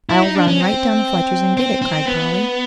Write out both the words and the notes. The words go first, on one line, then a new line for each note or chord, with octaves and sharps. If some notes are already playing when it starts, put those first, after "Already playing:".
"I'll run right down to Fletcher's and get it," cried Polly.
E4
D#4
D4
C#4
C4
C4
C4
B3